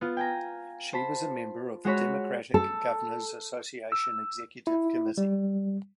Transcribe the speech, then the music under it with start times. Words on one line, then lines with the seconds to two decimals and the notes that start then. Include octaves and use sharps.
She was a member of the Democratic Governors Association Executive Committee.
0.01 B3 F4
0.17 G5 G#5 A#5
0.93 C5 A5 B5
1.85 G#3 F#4 C#5 B5
2.54 A4
3.92 E6
4.67 E4
5.18 G3